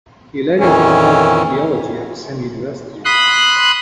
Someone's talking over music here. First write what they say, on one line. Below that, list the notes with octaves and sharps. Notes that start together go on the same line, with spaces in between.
He later taught theology at the same university.
F2 A#2 D#3 E3 C#4
B5 C6 D#6 F#6